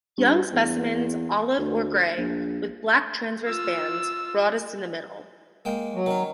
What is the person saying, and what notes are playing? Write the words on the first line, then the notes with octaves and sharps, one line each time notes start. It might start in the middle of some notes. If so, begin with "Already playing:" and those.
Young specimens olive or grey with black transverse bands, broadest in the middle.
G2
E2
D2
A#1
F4 E6
G#3 A#3 G5
F#3
D#3 C#4